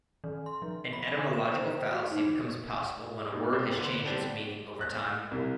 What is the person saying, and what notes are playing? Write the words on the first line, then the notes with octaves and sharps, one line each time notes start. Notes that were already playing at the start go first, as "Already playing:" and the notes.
An etymological fallacy becomes possible when a word has changed its meaning over time.
D#3
C6
F3
B5
G#5
E7
C5
F#4
D#4
G#2 B2
C4 E5
A#2
D3 B3 B4 C5
D3 G3 B3 C4 D4
F#6
C2